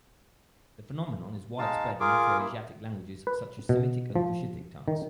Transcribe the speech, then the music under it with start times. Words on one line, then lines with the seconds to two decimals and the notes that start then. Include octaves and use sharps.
The phenomenon is widespread in Afroasiatic languages such as Semitic and Cushitic tongues.
1.59 G#3 D#4 F5 A5
2.00 F4 G#4 A#4 D6
2.39 A#3 E4
3.27 B4
3.69 B2
4.16 F3
4.88 D#3